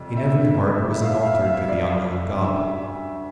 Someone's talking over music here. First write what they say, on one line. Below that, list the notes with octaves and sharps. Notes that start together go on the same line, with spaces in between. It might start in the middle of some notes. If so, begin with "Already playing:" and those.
In every heart was an altar to the Unknown God.
Already playing: F2 C3 G3
E5
E5
F5
E5
F5
E5
F5
E5
D5
D2 D3 G3 E5